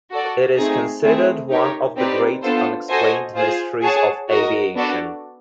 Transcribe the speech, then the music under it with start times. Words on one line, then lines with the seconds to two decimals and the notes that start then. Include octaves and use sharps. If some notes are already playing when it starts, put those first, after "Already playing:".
It is considered one of the great unexplained mysteries of aviation.
0.11 F#4 A4 D5
0.57 A3 C4 D#4 G#4
1.04 A3 C4 E4 G#4
1.50 D#4 G4 A#4 C#5
1.97 C4 D#4 G4 B4 D5
2.43 B3 D4 F4 A4 C5
2.89 F#4 A4 C5 D#5 G#5
3.36 F4 G#4 C5
3.82 G#4 C#5 F#5 A5
4.29 F#4 A#4 D#5
4.75 B3 D4 F#4 A4 D5